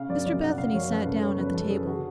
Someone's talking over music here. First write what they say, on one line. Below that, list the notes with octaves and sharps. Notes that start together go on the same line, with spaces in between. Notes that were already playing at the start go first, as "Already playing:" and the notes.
Mr Bethany sat down at the table.
Already playing: C#3 F5
F#2 D5
F#2 D5
C#3 F#5
C#3 F5
F#2 C#5
F#2 B4
C#3 A4
C#3 C#5
F#2 B4
F#2 A4
C#3 G#4
D3 F#4